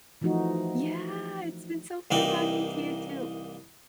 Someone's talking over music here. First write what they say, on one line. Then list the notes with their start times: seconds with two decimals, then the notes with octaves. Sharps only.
Yeah, it's been so fun talking to you, too.
0.21 E3 F3 A3 D#4 F#4
2.11 C2 E3 A#3 D#4 F#5 G5